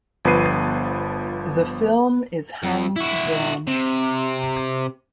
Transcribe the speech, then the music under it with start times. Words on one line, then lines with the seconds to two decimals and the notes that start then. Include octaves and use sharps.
The film is hand-drawn.
0.25 G1 F3 B3 B4 C7 D#7
2.63 F2
2.96 E4 F#4
3.68 C3